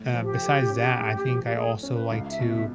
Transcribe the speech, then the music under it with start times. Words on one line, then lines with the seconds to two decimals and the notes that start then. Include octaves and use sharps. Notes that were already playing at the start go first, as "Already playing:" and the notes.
uh, besides that, I think I also like to
Already playing: A2
0.13 F3
0.23 G4
0.41 A3
0.70 C#4
0.98 A2
1.26 F3
1.45 G4
1.54 A3 G#4
1.83 C#4
1.93 B4
2.11 C#2 F5
2.25 F5
2.30 E5
2.39 B2
2.48 E5